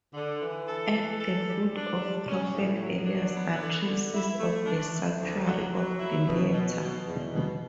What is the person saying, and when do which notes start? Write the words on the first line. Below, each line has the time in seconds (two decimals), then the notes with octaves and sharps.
At the foot of Prophet Elias are traces of a sanctuary of Demeter.
0.14 D3
0.41 E3
0.67 A4
0.94 E3
1.20 A4
1.47 G3
1.74 D4
2.00 G3
2.27 C#4
2.53 A2
2.80 F#3
3.06 D4
3.33 B3
3.60 D3
3.86 D3
4.13 E4
4.39 A3
4.66 D4
4.93 A3
5.19 D2
5.46 F#3
5.72 F#3
5.99 E4
6.25 B2
6.52 B2
6.79 B2
7.06 E2
7.32 B2